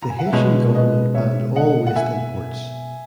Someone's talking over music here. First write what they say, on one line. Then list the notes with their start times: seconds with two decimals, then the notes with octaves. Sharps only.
The Haitian government banned all waste imports.
0.03 A#5
0.10 G#5
0.19 F#5
0.26 E5
0.33 B2 G#3 C#4 B4 D#5
0.74 B4 D#5
1.14 C#5 E5
1.55 D#5 F#5
1.87 F#5
1.95 E5 G#5